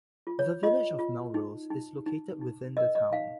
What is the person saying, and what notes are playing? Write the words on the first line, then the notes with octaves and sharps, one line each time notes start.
The Village of Melrose is located within the town.
F4
C#5
F4 D#5
F4
D#4
D#4
D#4
D#4
A#4 D#5
D#5
D#4 F5